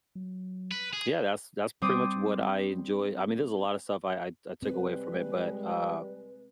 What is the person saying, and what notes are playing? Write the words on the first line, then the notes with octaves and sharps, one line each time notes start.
yeah, that's that's pretty much what I enjoy I mean, there's a lotta stuff I I I took away from it, but, uh,
F#3
B4
G#4
G3 C4 D6 D#6 D#7
G3 G#3 C4 B4